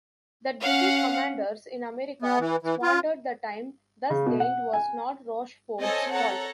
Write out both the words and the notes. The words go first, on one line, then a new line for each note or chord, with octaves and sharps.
That British commanders in America squandered the time thus gained was not Rochford's fault.
C#4 F5 F#5
B3
E3
E3
F4
C#3
B2
F#5
G#5
C4 A4 C#5 D#5 G#5
A4 C#5 F#5 A#5